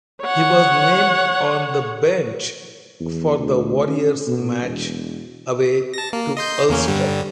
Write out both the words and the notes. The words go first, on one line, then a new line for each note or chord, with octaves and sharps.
He was named on the bench for the Warriors match away to Ulster.
C#5 F#5
E2
D2
C#4
B2
E1
A5 A#6
A#3
D#5 C6 G6
E2 A#3 C#4
G2 D3 G3